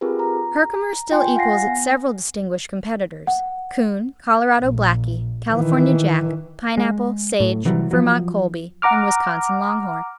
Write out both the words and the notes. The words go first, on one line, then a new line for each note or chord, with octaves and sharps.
Herkimer still equals its several distinguished competitors, Coon, Colorado Blackie, California Jack, Pineapple, Sage, Vermont Colby and Wisconsin Longhorn.
C4 F4 G4 G#4 A#4 B4
A#5
F4 G5 G#5 C6
F5 F#5 G#5 A#6 C7
B3
F#5
A#1
D#3 E3
G#3
A2
C3 E3 F#3 G3
F3 F#3
F#5 A#5 D6 F6